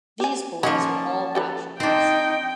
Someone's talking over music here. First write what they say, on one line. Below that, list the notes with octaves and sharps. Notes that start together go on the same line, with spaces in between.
These boys were all bachelors.
G4 G#5
F3 A#3 C#4 D#4 F#5 A5 B5
G4 A4 B4
C4 D4 D#4 G5